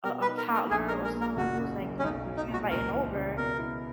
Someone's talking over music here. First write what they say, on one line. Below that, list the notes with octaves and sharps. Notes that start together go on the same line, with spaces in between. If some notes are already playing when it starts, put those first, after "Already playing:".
a, um, toddler or someone who's like younger you're inviting over,
B2 A#4
B4
D#4
A#4
A#3
A#4
A#1 G#4
A#4
G#3
A#4
A#2
A#4
F#1 F#4
C#3
F#2
C#4
B1 D#4
F#3
D#4
A#2
F#4
C#2 A#4
E3
C#3
B2 A#4
E4